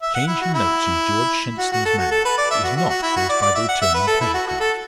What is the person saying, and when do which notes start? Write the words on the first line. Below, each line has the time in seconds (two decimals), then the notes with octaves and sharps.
The change he notes in George Shenstone's manner is not caused by the returning pleasure craft.
0.02 E5
0.15 F#5
0.28 E4
0.41 F#4
0.54 E4
1.59 F#4
1.72 F#4
1.85 A4
1.98 F#4
2.11 A4
2.25 B4
2.38 D5
2.51 E5
2.64 F#4
2.77 F#4
2.90 F#4
3.03 E4
3.16 F#4
3.29 D5
3.42 D5
3.55 E5
3.68 F#5
3.82 E5
3.94 B4
4.07 A4
4.21 E4
4.34 F#4
4.47 F#4
4.60 A4